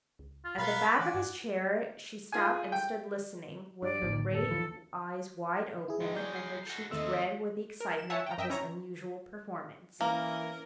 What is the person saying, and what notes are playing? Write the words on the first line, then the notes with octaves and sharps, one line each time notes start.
At the back of his chair she stopped and stood listening, with her great eyes wide open and her cheeks red with excitement of this unusual performance.
C#2
F4
B2 B3 A#4 F5 B5
E3 D4 F#5 G#5
G2
F4 G#4 G#5
G5
G2 D5
F1 D#2 A2 D3
F#1 D#2 A4
D#2 E3 F3
E4 G#4
D#3 G#3
F#3 G#4 D5 G6
G6 C7
F#4 A4
D#2 A3 C4 D#5 E6
A#4
E7
C#5 E5 F#5 G#5 A5
G5 A#5
F#2 D#5 E5 G5
C#4 E4 C#5 A#5 C#6
E3 A#3 C#4 A#4